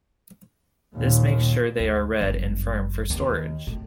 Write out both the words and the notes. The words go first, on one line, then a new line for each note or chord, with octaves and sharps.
This makes sure they are red and firm for storage.
D#2 A#2
D2
G1 F#2
D#2
A2